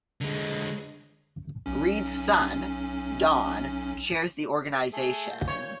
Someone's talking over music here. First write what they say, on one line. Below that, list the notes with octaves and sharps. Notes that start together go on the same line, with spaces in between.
Reed's son, Don, chairs the organization.
D3 G#3
B1 C#4
A3 G#4 A4
A#2 G6
C#5